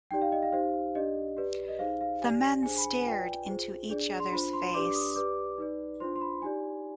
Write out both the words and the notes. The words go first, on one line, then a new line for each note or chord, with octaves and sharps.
The men stared into each other's face.
D#4 G4 D5 G5
F5
D#5
F5
D#4 G4 C5 F5
D4 G4 D5 D#5
G4 B4 D5
D#5
D#4 G#4 C5 F5
F5
G4 D5 G#5
D4 G#4 C5 G#5
B5
G#5
G#5
F4 B4 D5 G5
F4 G#4 C5
D4 G#4 D5
C6
D4 F4 C5 B5
C6
C6
D4 G4 B4 D5 D6
D6
D#6
G4 B4 D5 D6
D#4 B4 D5
D4 F4 C5 C6
C6
B5
D#4 G4 D5 G#5